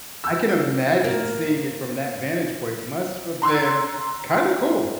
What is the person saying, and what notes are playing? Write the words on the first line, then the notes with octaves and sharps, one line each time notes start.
I can imagine seeing it from that vantage point must've been kinda cool.
E6
A#3
A#5 C6 E6 F#6